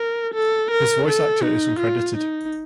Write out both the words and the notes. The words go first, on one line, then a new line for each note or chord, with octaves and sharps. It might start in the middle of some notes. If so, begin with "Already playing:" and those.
His voice actor is uncredited.
Already playing: A#4
A4
A#4
A4
D#4
F4
D#4